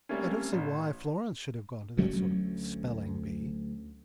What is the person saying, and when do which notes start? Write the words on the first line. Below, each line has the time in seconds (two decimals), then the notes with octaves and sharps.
I don't see why Florence should have gone to that sort of spelling bee.
0.09 C3 G3 A3 A#3 C#4
0.52 A1
1.97 D2 F#3 A3 C#4